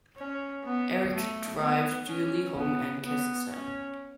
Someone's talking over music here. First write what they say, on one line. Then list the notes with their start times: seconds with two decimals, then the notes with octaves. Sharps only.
Eric drives Julie home and kisses her.
0.18 C#4
0.64 B3
1.13 A3
1.59 B3
2.08 C#4
2.55 B3
3.04 B3
3.51 C#4